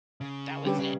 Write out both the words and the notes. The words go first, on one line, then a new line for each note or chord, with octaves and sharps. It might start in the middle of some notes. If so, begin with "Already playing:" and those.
that was it.
C#3
D3 G3 C#4 G4 B4
C#3